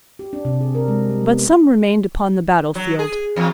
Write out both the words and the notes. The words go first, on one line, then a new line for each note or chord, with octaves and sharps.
But some remained upon the battlefield.
G4
D4
C3
G#4
A#4
G#3
G3
B3
F#3
G#4
E2